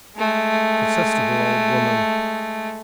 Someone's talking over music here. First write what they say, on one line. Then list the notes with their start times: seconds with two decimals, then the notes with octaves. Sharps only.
Detestable old woman!
0.17 G#3 A3